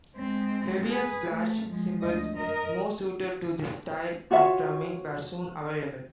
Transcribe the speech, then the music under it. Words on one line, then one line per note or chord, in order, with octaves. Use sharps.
Heavier splash cymbals, more suited to this style of drumming, were soon available.
G#3 C4
G#4 B4
A3
F3 G#3
D2 D#5
A#4 D#5
F4 F#4 C#5 E5